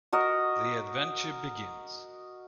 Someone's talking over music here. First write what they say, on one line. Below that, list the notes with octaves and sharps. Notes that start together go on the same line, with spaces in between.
The adventure begins.
F#4 A#4 D#5